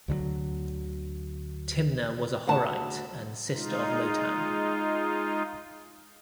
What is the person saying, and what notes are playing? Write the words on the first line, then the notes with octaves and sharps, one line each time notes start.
Timna was a Horite and sister of Lotan.
D2 D3 E3 F#3
D2 F#5 A5
G#3 D#4 F4